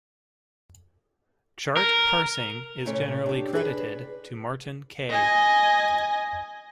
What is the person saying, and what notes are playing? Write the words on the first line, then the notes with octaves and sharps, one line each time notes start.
Chart parsing is generally credited to Martin Kay.
A#4
A#2 C#3 A3 C#5
D4 G4
D4 G#4 A#4 B4
D#5 G#5